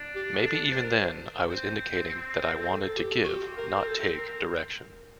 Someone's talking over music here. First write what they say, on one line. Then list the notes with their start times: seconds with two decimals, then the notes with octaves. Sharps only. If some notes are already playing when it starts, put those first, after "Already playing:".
Maybe even then I was indicating that I wanted to give, not take, direction.
Already playing: D4
0.16 G4
0.38 A4
0.72 C5
0.83 A#4
0.94 C5
1.49 C4 C5
2.39 C5
2.49 A#4
2.59 A4
2.69 A#4
2.83 A4
2.97 G4
3.11 A4
3.24 F#4
3.28 C4 G4
3.57 A#4
3.76 A#4
3.87 A4
4.18 A#4